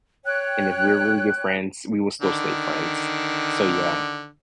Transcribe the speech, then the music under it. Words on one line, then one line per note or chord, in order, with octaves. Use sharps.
And if we're really good friends, we will still stay friends. So, yeah,
C#5 G5 F#6
D3 D#3